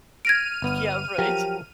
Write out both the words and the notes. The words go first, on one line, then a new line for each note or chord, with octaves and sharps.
Yeah, right.
F6 G#6 A#6 D7 D#7
G1 B3
F3 F#3 G4 A#4